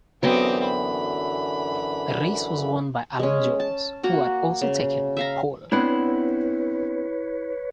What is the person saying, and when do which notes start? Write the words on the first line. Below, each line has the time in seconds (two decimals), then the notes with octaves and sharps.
The race was won by Alan Jones, who had also taken pole.
0.23 F#2 D3 E3 F#3 B3 C4 G4 D#5
0.65 B5
3.19 G#3 C#4
3.60 A5
4.03 A#3 F#4 F#5
4.62 C#3
5.17 E5 F5 A#5
5.72 B3 C4 D4 E4 B4 C#5 B5